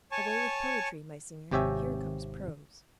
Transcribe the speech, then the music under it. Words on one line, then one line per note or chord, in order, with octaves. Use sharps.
"Away with poetry, my singer, here comes prose."
C#5 G#5 A5 C#6
G#1 C3 G4 C#5 E5 G#5